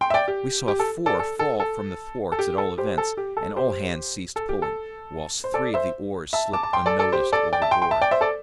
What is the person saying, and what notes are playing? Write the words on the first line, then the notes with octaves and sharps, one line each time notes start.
We saw four fall from the thwarts, at all events, and all hands ceased pulling, whilst three of the oars slipped unnoticed overboard.
G5 C6
E5
D5 G5
G4
G4
A4
A4 D5
A4
A4
A4
A4
G4
A4
G4 C5
A4
G4
A4
G4 C5
A4
G4
A4
C5
A4 D5
C5 E5
E5 A5
A5 D6
A5
G5 C6
A4 D5
A4 D5
G4 C5
A4 D5
D5 G5
E5 A5
G5 C6
G5 C6
E5 A5
D5 G5
C5 E5
A4 D5